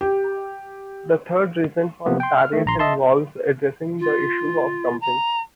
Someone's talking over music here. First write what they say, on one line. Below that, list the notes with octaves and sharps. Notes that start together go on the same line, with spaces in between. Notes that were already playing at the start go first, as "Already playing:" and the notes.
The third reason for a tariff involves addressing the issue of dumping.
G4
C3 F3 A#3 B3
G5 C6
F6
D#3 A3
A#1 A#5 C6
D#5 E5 A5 C6
F4
A#5